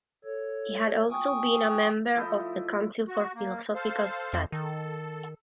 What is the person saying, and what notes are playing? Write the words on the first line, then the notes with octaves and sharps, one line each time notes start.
He had also been a member of the Council for Philosophical Studies.
A4 C#5
G5 G#5 C#6 D#6
F3 A3 E4 D#5
F#4
A#3
A4 C5 F5
F2
D#3 A4